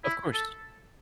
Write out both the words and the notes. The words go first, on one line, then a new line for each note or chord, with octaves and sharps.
Of course,
E4
A4